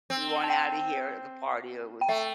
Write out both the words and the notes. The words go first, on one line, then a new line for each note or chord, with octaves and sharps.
we want outta here, the party, yeah, was
C4
A5
G5
G5
A3 E5